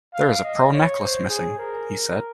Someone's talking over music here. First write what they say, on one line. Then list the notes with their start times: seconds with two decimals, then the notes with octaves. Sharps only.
"There is a pearl necklace missing," he said.
0.14 F5
0.43 D#5
0.72 C#5
1.01 C5
1.29 G#4
1.59 A#4